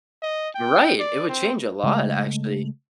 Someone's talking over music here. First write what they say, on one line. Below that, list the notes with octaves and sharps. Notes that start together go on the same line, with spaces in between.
Right. It would change a lot, actually.
D#5
G5
D5
C4
C#3 G#3 A3